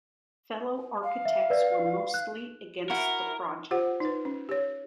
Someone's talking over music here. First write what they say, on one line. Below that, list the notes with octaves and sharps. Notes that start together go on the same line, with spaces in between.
Fellow architects were mostly against the project.
F5
E5
B4 D5
F#6
E4 F#4 A#4
F4 G4 C5 F#5
D#4 B4
C#4
G4 C#5